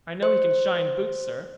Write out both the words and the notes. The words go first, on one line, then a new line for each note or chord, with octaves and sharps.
"I know he can shine boots, sir."
C5